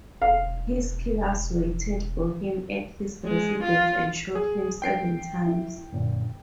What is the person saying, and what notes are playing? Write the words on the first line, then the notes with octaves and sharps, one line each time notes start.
His killers waited for him at his residence and shot him seven times.
E1 F5
G#3
F4
G#4
G5 C7 D7
E4
F#2 A#2 D3